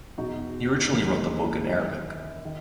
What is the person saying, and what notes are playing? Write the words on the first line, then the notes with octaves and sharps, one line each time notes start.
He originally wrote the book in Arabic.
E2 B2 D#4 F#4
D#2 C#3 E3 E4
D#4
E4
F#2 D#3 E4
D#3